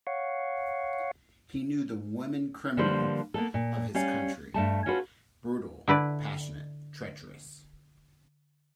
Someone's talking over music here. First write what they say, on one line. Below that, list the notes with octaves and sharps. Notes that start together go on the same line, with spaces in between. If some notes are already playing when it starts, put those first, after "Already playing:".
He knew the woman-criminal of his country — brutal, passionate, treacherous.
C#5 F5 F#5
D3 F3 G3 A#3 B4 C5
A#3 B3 A4
A#2
G3 C#4 F5
G2 A3 A5
C#4 F4 F#4 A4 B4
D3 E4 B4 D5